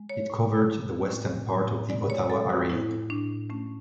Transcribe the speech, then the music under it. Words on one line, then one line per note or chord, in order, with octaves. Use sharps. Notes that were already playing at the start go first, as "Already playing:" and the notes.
It covered the western part of the Ottawa area.
Already playing: G#3
C#5
A2
G#3
A2
A2
G#3 D5
C#5
G#3 A4
F#4
A2 E4
A2 D4
A3 C#4